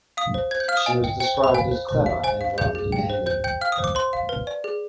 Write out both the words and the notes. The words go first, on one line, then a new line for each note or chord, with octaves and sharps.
She was described as clever and rather demanding.
F5 D#6
C5
C5 G#6
G6
F5 F6
D#6
D#5 G#5
G5
C5 G5
C5
B5
F5 G#5
C5
C5
F5
C5 G#5
F5
G#4 G6
G#4
G5
C5
C5 G6
G5 G6
F5 F6
D#6
C5
D6
C5 C6
F5
B4
D5
G#4